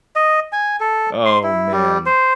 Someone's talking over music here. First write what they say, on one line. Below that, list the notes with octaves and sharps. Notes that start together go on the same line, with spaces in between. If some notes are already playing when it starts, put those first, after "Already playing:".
Oh man.
D#5
G#5
A4
C6
E4
G3
C5